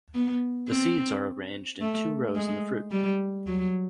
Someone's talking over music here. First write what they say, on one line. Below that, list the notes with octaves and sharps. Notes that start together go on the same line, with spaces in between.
The seeds are arranged in two rows in the fruit.
B3
C4
A3
G#3
G3
F#3